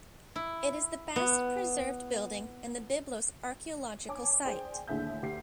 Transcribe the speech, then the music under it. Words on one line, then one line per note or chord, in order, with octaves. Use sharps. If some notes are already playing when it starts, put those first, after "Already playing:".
It is the best preserved building in the Byblos archaeological site.
E4
B3
C#5 G#5 A5 D6
G#4 C5 D5 G5
D#2 A2 D3 G#4 E5 G6
D2 G4 C7